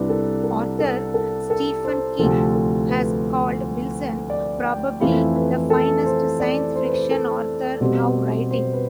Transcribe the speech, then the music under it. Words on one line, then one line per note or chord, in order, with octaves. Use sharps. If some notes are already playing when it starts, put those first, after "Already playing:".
Author Stephen King has called Wilson "probably the finest science-fiction author now writing".
Already playing: C2 C3 G3 D4 B4
A4
A4
A4
A4
A4
C5
D2 C3 F3 A4
A4
B4
D5
G5
F2 E3 A3 C4 E4 F5
B4
A4
C5
D5
C5
B4
C5
A4
B2 G3 C4
C5
B4